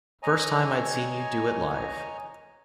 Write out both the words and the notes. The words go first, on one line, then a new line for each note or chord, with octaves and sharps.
First time I'd seen you do it live.
C#5 D#5 G#5 A#5